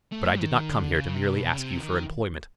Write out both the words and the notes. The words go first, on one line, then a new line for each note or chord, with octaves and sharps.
But I did not come here to merely ask you for employment.
A3
D#3
D3
C#3
C3
B2
C#3
C3
D#3